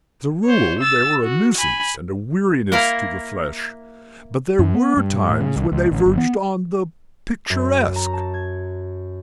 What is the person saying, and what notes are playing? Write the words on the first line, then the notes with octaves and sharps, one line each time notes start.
As a rule they were a nuisance and a weariness to the flesh, but there were times when they verged on the picturesque.
C5 C#5
E6 A6
F#4
G#5 B5
A#3 E4 A#4 F5
F#2
B3
G2
A2
C#3
C2
C#2
A1
G1
B3
F#2
A#5
A5
G#6